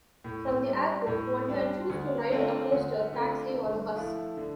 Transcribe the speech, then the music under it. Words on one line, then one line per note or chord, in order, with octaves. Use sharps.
From the airport one can choose to ride a coaster, taxi or a bus.
A2
G3 D4
A2
G3 D4
D2
D3 A3 C4 F4
D2
D3 A3 C4 F4
D3
F3 A3 E4
D3